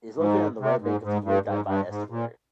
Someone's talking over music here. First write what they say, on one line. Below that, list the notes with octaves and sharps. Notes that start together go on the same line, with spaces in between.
It is located on the right bank of the Urdaibai estuary.
G#2
C3
G#2
G#2
G2
G#2
G2
G#2
A#2